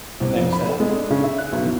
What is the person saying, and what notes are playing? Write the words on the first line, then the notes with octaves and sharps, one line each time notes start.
and then you said I
C2
F2
B5
A4
G#3
D4
C#3
E5
F#6
B1
E2